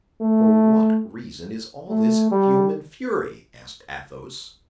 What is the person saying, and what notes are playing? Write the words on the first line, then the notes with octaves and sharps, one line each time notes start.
"For what reason is all this fume and fury?" asked Athos.
A3
A3
G3